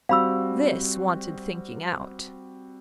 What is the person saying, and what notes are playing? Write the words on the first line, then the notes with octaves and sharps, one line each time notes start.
This wanted thinking out.
G3 C4 F#4 F5 B5 E6